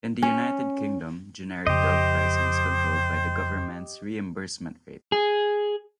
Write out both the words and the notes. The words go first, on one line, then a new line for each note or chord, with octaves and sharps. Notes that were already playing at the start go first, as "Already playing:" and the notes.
In the United Kingdom, generic drug pricing is controlled by the government's reimbursement rate.
C#4
F2 C#3 G4 C5 D#5
G#4